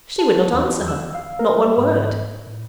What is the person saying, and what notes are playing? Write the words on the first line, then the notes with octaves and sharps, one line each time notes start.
She would not answer her--not one word.
A5
E2
E6
F5
A#4
G3
G#2
A2